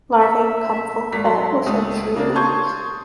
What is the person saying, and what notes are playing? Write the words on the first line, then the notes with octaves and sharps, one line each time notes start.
Larvae become full fed within three weeks.
E5
G#1 B6
F#3 C6
C#2 A3 D#6
C#3 A#3 D4
A5 C6 C#6 D#6 G6 G#6